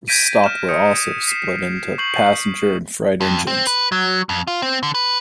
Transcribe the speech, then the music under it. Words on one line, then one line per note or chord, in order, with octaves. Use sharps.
Stock were also split into passenger and freight engines.
G6 G#6 A#6 B6 D7 D#7
F6 E7
D#6 G6 C#7
B6 C7 E7
C#6 G6 C7 F#7
F2
C4
B4
F#3
F2
F4
C4
D3
B4